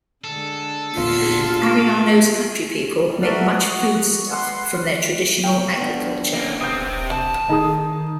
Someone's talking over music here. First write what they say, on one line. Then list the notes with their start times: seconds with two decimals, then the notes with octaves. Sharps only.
Ariano's countrypeople make much foodstuff from their traditional agriculture.
0.24 D3 G#3 A4
0.94 A#2 D3 B3 F4
1.83 E4 G#4
3.06 E3 G3
3.21 F#4 A4 A#4 D5 E5 F#5
3.62 F#4 F#5 C#6 D#6
4.10 F#4
4.31 B4 F#5 C6
5.44 G5
5.77 B3 D4
6.34 A#3 C#4
6.61 C3 C4 D#6 G6
7.12 A5
7.49 D#3 D#4 G#4 D#6